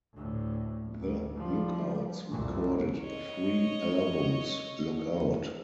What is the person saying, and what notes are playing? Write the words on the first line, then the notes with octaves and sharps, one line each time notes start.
The Lookouts recorded three albums, Lookout!
D2 A2
D2
F3 G3
C2 F2
C#5 D#5